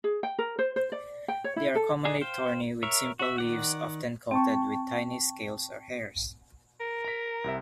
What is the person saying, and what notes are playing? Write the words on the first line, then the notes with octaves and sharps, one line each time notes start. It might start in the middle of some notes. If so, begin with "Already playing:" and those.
They are commonly thorny, with simple leaves often coated with tiny scales or hairs.
G#4
G5
A#4
C5
C5
D5
G5
C#5
E4
A4
D4 D#4 G#4
C5 F5 G5
A#4 C#5 E5
F#4 E5
D#3 D5 F#5
C4 G5 A5 C#6
A#4
A#5 B6
C2 C3 E5